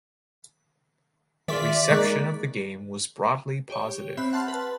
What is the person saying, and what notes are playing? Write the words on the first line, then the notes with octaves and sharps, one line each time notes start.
Reception of the game was broadly positive.
D#3 F4 G#4 D5 E5 C6 B6
D#3 G#3 A#3 C#6 F#6 A6
G4 C#5
C4 E5 B5 F#6
F#5 A5 C6 F6 F#6
B4 A5